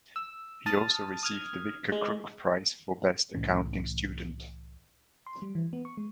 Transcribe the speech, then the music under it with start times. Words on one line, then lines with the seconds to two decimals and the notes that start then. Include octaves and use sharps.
He also received the Victor Crooke Prize for Best Accounting Student.
0.16 E6
0.66 A5 D#6 F6 A6
1.23 D#6 F6 G#6
1.92 G#3
3.35 C2 A2 E3 C#4
5.26 C6
5.42 G3
5.55 E3
5.73 B3
5.85 C#6
5.97 G#3